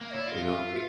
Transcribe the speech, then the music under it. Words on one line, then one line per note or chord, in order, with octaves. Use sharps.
You know, i
A#3 F5
E4 C#5
D5
F4 D#5
E5
E5
F5
E5